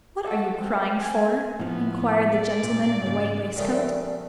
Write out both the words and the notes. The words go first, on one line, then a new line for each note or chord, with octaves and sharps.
'What are you crying for?' inquired the gentleman in the white waistcoat.
F#4 A4
C4
G#5
A2 F3 B3
D5
A#2
G#2 C#3
G2 A#2 C#3 F3 A3 C4